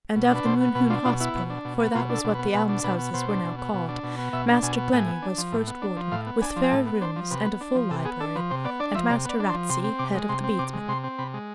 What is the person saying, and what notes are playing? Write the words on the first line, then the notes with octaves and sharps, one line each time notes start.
And of the Mohune Hospital--for that was what the alms-houses were now called--Master Glennie was first warden, with fair rooms and a full library, and Master Ratsey head of the Bedesmen.
B2
D4
B4
B2 C5
B3
B2 B4
D4 F4
B2 F4
B3 E4
B2
D4
B2
B3
B2 F4
D4 A4
B2
B4
B3
B2 B4
D4
B2 B4
B3
B2 C5
D4
B2
B3
B2
D4
B2
B3
B2 E5
D4
B2 G#5
B3
A2 G#5
B3
D4
F3
A2
B3
D4
F3
A2 F5
B3
D4 G#5
F3
G#5
A2 A5
B3
D4 C5
F3
C3 B4
B3
D4
F3
C3 A4
B3 G#4
D4 A4
F3 B4
C3 C5
B3 D5
D4 D5
F3 E5
C3 D5
B3 D5
D4
C6
F3
C3 C6
C4
C3 D6
G#3
C3 C6
C4
C3 D6
G#3
C3 C6
C4
C3 B5
G#3